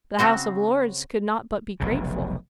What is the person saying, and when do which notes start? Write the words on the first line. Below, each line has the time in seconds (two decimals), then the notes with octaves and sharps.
The House of Lords could not but be grateful.
0.19 C#3 C4 F#4 C5
1.80 F1 B1 C#3